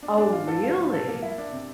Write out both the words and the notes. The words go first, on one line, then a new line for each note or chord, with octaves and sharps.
Oh, really?
D4
D4
F4
A4
F4
F3
A4
A#3
E4
D4
C3